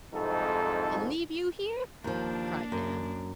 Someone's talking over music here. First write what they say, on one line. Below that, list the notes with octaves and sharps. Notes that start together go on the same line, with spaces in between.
"And leave you here?" cried Nan.
C2 F2 G#2 D#4 A4
D#2 F3 A#3 D4
F#2